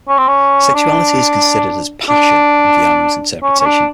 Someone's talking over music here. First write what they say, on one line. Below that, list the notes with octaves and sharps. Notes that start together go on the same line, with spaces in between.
Sexuality is considered as passion in Viano's interpretation.
C#4
C4
C#4
D4
D4
C#4
C#4
D4